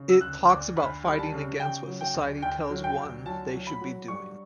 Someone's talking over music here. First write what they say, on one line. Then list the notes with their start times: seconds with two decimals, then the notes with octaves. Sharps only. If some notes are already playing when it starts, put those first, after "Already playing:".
It talks about fighting against what society tells one they should be doing.
Already playing: C#3
0.09 E6
0.21 D2 F#6
0.48 D2 D6
0.76 D2 B5
1.04 G3 B5
1.19 A5
1.32 C#3
1.60 C#3 G5
1.87 F#3
2.01 G5
2.14 D2
2.42 D2 G5
2.70 F#3
2.84 G5
2.98 D2
3.26 F#3 A5
3.53 F#3
3.67 B5
3.81 F#3
4.08 G2 C#6